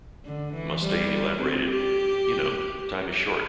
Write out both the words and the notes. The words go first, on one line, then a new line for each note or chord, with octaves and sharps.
Mustaine elaborated: You know, time is short.
D3
E3
G3
C4
G4